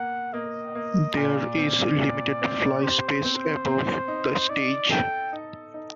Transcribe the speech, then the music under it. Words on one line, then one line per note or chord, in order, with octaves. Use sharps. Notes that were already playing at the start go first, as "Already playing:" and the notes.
There is limited fly space above the stage.
Already playing: A#3 F#5
A#3 D#5
A#3
A#2 D5
C4
A#2
C4
G4 C5
C4
C4
D#4
D#4 D5
A4 G5
D#4
D#4